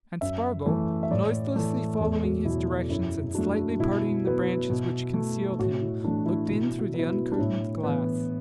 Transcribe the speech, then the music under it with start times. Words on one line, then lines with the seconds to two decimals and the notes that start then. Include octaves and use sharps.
And Spargo noiselessly followed his directions and slightly parting the branches which concealed him looked in through the uncurtained glass.
0.21 F#2 E5
0.66 E3 A3
1.03 E5
1.11 A2 D5
1.56 E3 A3
2.00 E2 A4
2.23 F#4
2.45 B2 F#3 E4
2.90 F#2 E4
3.35 F#3 A3 D4
3.80 B2 E4
4.25 F#3 B3
4.70 B2
5.14 A3
5.58 A2 F#4
5.81 E4
6.04 E3 A3 D4
6.26 E4
6.49 B2 E4
6.79 F#4
6.94 F#3 B3
6.99 E4
7.09 F#4
7.32 D4
7.39 A2 E4
7.83 E3 B3